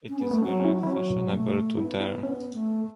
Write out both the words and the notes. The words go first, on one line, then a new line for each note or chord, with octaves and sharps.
It is very fashionable to dare.
C#4
B3
A3 B3
F#3 C#4
C#4
E4
E3 E4
F#3 C#4
B2
B2 A3
B3 E4
E4
B3 C#4
A3